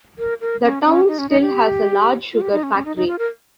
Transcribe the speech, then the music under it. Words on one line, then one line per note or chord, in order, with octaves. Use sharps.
The town still has a large sugar factory.
A#4
A#4
C#4
C#4
D#4
C#4
D#4
G4
F4
G4
D#4
C#4
C#4
D#4
D#4
F4
A#4